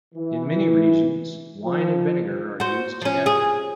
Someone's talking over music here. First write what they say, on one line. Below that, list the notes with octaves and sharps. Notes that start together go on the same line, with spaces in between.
In many regions, wine and vinegar are used together.
E3
F3
F#4 C5
F3 C#4
G#4